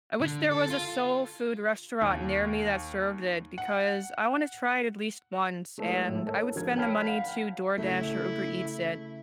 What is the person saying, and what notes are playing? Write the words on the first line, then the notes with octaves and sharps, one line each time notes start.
I wish there was a soul food restaurant near me that served it, because I wanna try it at least once, and I would spend the money to DoorDash or Uber Eats it.
D3
A4
F4
D#2
F#5
G#3 A3 E4 A4 B4 C#5
A2 D#3
A4 A#4 C#5
G#2 F3 F#3 A#4 G#6
C#5 G5 A5 B5 F6 B6
F5 F#5
C#3 A3 E4